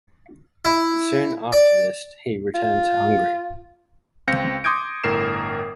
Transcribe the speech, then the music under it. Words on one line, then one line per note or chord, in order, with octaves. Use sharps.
Soon after this he returned to Hungary.
E4
D5
F4
C#2 C4 F5 G6 A#6 C#7
C6 D6 D#6 G6 G#6 D7
G1 A2 A#4 C7 E7